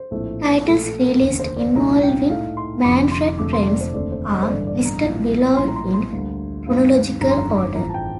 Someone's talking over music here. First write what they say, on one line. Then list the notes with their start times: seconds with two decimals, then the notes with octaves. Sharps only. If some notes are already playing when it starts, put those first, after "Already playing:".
Titles released involving Manfred Trenz are listed below in chronological order.
Already playing: C5
0.11 A#1 A2 A3 C4
0.66 A#1 A#2 A3 A4
0.84 A4
1.03 A#4
1.21 F1 D#2 D3 C5
1.40 C5
1.57 D5
1.75 C2 A#2 A3 D#4 A#5
2.03 G5
2.30 A2 A3 D#4 F5
2.57 C6
2.84 F1 F2 D3 D6
3.11 C6
3.39 F1 F2 D3 A3 D6
3.53 C6
3.67 D5
3.81 C5
3.93 F1 D#2 D3 A3 C4 D5
4.12 C5
4.31 D#5
4.43 C5
4.48 A1 G2 D3 A3 D5
4.67 D5
4.85 A#5
5.03 A#1 A2 G3 A#3
5.57 A#1 A2 G3 C6
5.68 A#5
5.76 C6
5.94 C6
6.12 D2 D3 G3 A#3
6.67 G2 D#3 G3 A#3
7.21 G1 F2 D#3 G3 D4 A#5
7.31 C6
7.39 A#5
7.58 D6
7.76 A1 A2 F3 C4 A#5
7.89 A5
7.94 G5